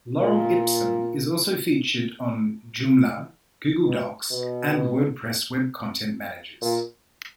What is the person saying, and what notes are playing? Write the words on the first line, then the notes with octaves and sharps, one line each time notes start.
Lorem ipsum is also featured on Joomla!, Google Docs, and WordPress web content managers.
A#2
B2
B2
A#2